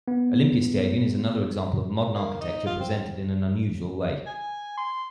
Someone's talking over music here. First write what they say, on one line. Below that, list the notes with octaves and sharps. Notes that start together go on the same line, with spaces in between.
Olympiastadion is another example of modern architecture presented in an unusual way.
B3
A#3
D#4
F4
C4
G#5
C6